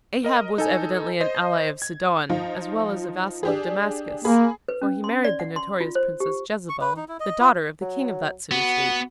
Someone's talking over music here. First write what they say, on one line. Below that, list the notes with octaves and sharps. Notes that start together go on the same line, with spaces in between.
Ahab was evidently an ally of Sidon as well as a vassal of Damascus, for he married the notorious princess Jezebel, the daughter of the king of that city State.
A#4 D#5
D#4 A4 G#5
C5 D#5
G#6
F3 D#4 F4
D4 G4 G#4
A#3 G#4 B5
B4
C#4
C6
D5
F#5
C6
F4
C5
G4
C#6
B4
D#4
E4
D#5
F4
F#3
B3 F#4